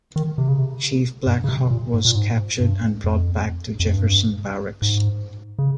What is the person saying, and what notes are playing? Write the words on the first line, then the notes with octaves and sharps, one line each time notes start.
Chief Black Hawk was captured and brought back to Jefferson Barracks.
D#3
C3
C#3
C3
G2
C#3
C3
A#2
G#2
A#2
G#2
G2
F2
F2
G2
G#2
C#3